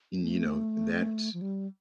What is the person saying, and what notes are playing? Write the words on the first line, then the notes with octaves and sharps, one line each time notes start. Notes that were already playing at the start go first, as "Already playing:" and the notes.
and, you know, that
A3
F3
G3